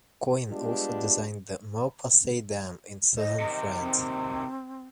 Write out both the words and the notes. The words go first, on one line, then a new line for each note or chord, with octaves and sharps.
Coyne also designed the Malpasset Dam in Southern France.
G3 G#3 B3 D4 F4 G4
D#5
C3 D#3
C4